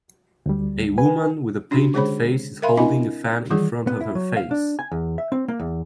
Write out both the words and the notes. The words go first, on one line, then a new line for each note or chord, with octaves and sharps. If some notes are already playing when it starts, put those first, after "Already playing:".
A woman with a painted face is holding a fan in front of her face.
D2 G3
B4 G#5
C#4 D4 F#4 G4
D3 G#3 G#4 C5 C#5 B5
A#4 E5 F5 B5 C6
C4 D4 E4 D#5 G#5 B5
D#3 E3 G3 F4 G#4
B3
E4
F#3
F5
D4
G#5
E2
E5
C4
A#3
E2